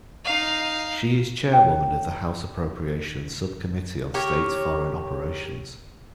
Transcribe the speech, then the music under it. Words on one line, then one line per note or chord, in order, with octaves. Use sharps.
She is Chairwoman of the House Appropriations Subcommittee on State-Foreign Operations.
D#4 F5
C#5 G5
G4 A#4 C#5